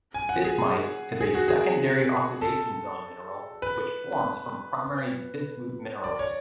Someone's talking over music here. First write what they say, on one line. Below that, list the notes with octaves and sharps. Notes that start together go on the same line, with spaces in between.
Bismite is a secondary oxidation zone mineral which forms from primary bismuth minerals.
G#5
F#5
G#4
G#4
F#4
G#4
A4
B4
D5
C#5